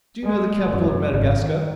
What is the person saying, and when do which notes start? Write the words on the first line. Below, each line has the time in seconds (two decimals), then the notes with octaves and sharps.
Do you know the capital of Madagascar?'
0.24 G#3
0.70 F#2
1.10 G#1
1.40 D#3